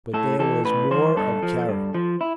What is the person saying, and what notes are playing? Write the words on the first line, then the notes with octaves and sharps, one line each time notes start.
But there was more of character.
A2 A4
E3 A4
A2 B4
E3 C5
G2 A4
F3
G2
F3
E4